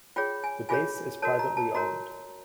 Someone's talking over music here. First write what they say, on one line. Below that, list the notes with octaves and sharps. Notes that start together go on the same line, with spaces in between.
The base is privately owned.
F4 G#4 C#5 G5
G#5
F4 G#4 C#5 G#5
F#4 A#4 C#5 A5
A#5
A5
F#4 A#4 C#5 A#5